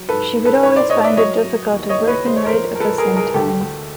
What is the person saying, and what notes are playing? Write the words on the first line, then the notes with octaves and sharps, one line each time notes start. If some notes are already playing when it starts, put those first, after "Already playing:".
She would always find it difficult to work and write at the same time.
Already playing: F#3
G#2 A4 B4
G#2
A4 B4
G#2 B4 C#5
C5 D5
G#2 C#5 D#5
D5 E5
F#3 C#5 D#5
F#3
D#2
C#5 D#5
D#2
B4 C#5
G#3 C5
C#5
A#4 C5
F3
A#4
G#3 A4 B4
G#4 A#4
G#3
G#4 A#4
D2 G4 A4
D2